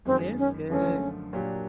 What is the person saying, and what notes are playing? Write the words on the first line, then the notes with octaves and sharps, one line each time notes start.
That's good.
F#2 D#3 G#3 B3 C4
C#4
F#2 D3 F3 A3 C#4
A#2 F#3 A#3 D4 G4